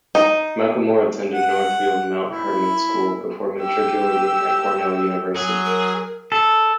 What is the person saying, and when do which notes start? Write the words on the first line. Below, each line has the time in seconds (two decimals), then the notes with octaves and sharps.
McLamore attended Northfield Mount Hermon School before matriculating at Cornell University.
0.15 D#4
1.34 F#5
2.26 E4
3.60 G4 E6
5.36 F#3 G#4
5.65 A#4
6.32 A4